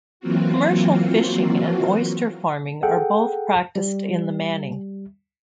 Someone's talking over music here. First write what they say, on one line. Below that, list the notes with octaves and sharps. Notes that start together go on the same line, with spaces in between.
Commercial fishing and oyster farming are both practiced in the Manning.
E3 F#3 A#3 C4 F4 F#4
G#4 A4 F#5 G5
G3